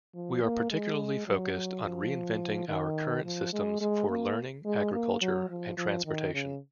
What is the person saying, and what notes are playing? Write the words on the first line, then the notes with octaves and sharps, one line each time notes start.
We are particularly focused on reinventing our current systems for learning, agriculture, and transportation.
F3
A#3
G#3
F#3
F3
D#3
F3
G#3
G#3
A#3
G#3
A#3
F#3
F3
F3
D#3
C#3